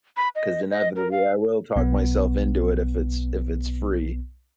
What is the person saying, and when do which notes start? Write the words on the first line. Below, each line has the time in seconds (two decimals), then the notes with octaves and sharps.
'cause inevitably, I will talk myself into it if it's if it's free.
0.17 B5
0.35 D#5
0.71 D#5
0.96 A#4
1.11 F5
1.76 B1 B3